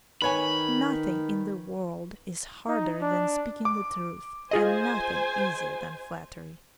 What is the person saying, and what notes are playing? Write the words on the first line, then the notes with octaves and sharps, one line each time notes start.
Nothing in the world is harder than speaking the truth and nothing easier than flattery.
D#3 B4 C#5 G#5 B5
D#4
D4
D6
F4 G#4 C5 D#5 G#5